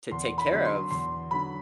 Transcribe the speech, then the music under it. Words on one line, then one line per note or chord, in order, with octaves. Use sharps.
to take care of
E2 C6
B5
D3 F#3
C6
E2 C6
D3 F#3 B5